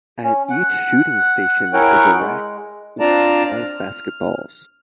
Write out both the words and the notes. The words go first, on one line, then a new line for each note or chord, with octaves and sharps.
At each shooting station is a rack with five basketballs.
C#4
F#5
E4 G#4 A#4 C#5 F#5 G5
G#3
C4 D4 F4 D5 A5 A#5
F6